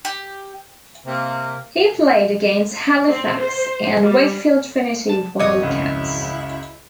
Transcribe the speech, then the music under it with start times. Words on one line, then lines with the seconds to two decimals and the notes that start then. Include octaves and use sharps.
He played against Halifax and Wakefield Trinity Wildcats.
0.05 G4
1.06 C3 A#3
3.09 C4
3.40 C5
4.03 G3
5.09 A5
5.39 G#1 F2 F#3 C#5 D#5
5.63 C#2 F#2 E4